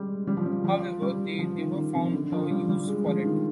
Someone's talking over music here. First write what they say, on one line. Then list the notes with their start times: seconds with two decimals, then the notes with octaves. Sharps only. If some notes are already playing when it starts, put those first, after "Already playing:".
However, they never found a use for it.
Already playing: G3 G#3
0.27 G3
0.37 F3
0.46 G3
0.64 F3
1.02 G3
1.39 F3
1.58 D#3
1.75 D#3
1.95 C3
2.13 D3
2.32 F3
2.51 G3
2.69 G3
2.87 G#3
3.06 F3
3.25 D#3